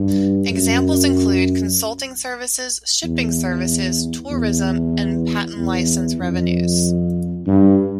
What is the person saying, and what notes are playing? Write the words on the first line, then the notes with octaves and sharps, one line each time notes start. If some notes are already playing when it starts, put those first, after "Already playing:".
Examples include consulting services, shipping services, tourism, and patent license revenues.
Already playing: G2
F#2
E2
E2
E2
F2
G2